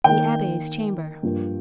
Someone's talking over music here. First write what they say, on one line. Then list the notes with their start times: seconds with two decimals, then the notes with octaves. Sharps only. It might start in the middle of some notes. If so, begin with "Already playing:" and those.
The Abbe's Chamber.
0.04 D#3 A#3 D#4 G5
1.23 G2 F3 A#3